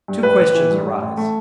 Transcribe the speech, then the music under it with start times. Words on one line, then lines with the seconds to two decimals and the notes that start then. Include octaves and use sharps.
Two questions arise.
0.08 G2
0.23 A1 B4
0.39 A1
0.55 E3
0.71 G2
0.86 A1
1.02 A1
1.17 A3